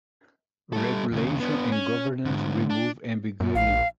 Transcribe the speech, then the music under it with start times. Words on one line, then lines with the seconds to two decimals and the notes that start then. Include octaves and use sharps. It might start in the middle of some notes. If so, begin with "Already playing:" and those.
Regulation and governance removes ambiguity.
0.73 G3 A4
1.12 D#2 C#3
1.40 B3 D4
1.72 C#4
2.26 G#2 D3
2.70 D4
3.40 F#2
3.55 A#1 F5